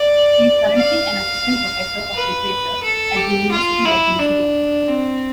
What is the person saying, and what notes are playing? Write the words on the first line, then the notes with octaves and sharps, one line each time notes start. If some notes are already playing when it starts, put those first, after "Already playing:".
He is currently an assistant professor of literature at the University of Michigan.
Already playing: D5
F5
B4
A4
G4
F4
E4
D4
C4